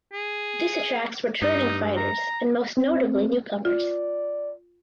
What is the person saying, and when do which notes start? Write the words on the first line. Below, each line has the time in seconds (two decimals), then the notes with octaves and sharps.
This attracts returning fighters and most notably newcomers.
0.13 G#4
1.42 G2 D#4
1.97 A#5
2.77 C4
3.65 F4 D5